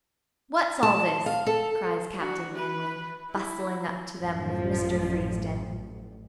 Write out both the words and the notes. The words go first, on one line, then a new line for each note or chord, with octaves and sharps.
"What's all this?" cries Captain Manly, bustling up to them with Mr. Freesden.
A5
F5
A4
D4 F#4
B4
E4
A1 F#2 F3